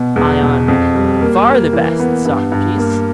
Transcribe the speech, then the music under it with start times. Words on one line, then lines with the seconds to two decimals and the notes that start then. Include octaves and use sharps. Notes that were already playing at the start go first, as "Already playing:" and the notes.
ION: Far the best, Socrates.
Already playing: B2
0.16 E2
0.43 B2
0.68 F2
0.95 G3
1.21 A#3
1.47 A#3
1.73 E3
2.00 B3
2.25 G2
2.52 G2
2.78 A#3